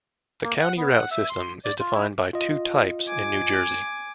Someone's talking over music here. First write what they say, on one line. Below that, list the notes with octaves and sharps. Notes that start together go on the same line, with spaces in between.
The County Route system is defined by two types in New Jersey.
A#3
F#5
B3
F#5
E5
C6
D5
F4
E4
F4 D#5
G#5 D6